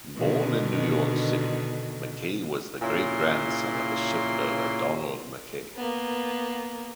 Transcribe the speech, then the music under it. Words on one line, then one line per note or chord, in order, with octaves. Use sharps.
Born in New York City, McKay was the great-grandson of the shipbuilder Donald McKay.
B2 D3 D#3
A#2 C#3 E4 C#5 C6
A#3 B3